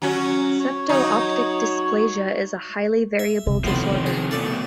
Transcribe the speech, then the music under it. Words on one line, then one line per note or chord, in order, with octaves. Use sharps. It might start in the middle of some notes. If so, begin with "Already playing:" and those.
Septo-optic dysplasia is a highly variable disorder.
F#3 C#4 F#4
C#5
F#3 D#4
E5
C3
A2 D#3 F3 B3 C6
G#4
B2 A3 A4 D5